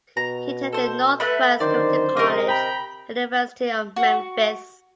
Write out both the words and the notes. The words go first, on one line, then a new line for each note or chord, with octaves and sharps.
He attended Northwest Community College and the University of Memphis.
B2 A#5
A4 C5
A3 B4 E5 F#5 B5
F#2 D3 D#3 C5 D5
C3 A#4 D#5
G5 A#5 B5
F#4